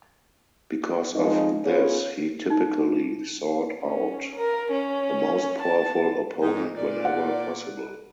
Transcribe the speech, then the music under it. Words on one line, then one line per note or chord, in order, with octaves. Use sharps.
Because of this, he typically sought out the most powerful opponent whenever possible.
F2 F3 G#3 D#4
B3 C#4 F4 G#4 C#5
D#4
C#4
A#4
C#4
A5
G#2 D#4
A#2 D5
F#5